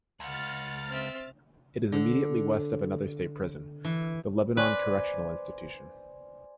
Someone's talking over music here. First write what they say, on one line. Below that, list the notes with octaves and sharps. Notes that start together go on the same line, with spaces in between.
It is immediately west of another state prison, the Lebanon Correctional Institution.
C#2 F#5 F6 A6
C4 E5
D3
E3
B4 C5 D5 G#5